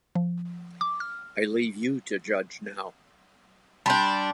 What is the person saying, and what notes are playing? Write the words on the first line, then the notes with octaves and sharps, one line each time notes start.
I leave you to judge now!
F3
D6
F6
G3 D4 A5 C6 G6